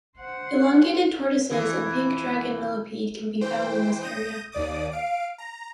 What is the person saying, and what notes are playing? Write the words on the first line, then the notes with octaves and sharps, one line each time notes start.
Elongated tortoises and pink dragon millipede can be found in this area.
C5 F#5
F2 E3 G#4
E3 C5 G5
D#6 G6 A#6 D#7
D#2 D5 D6 D#6
F5 D7
A#5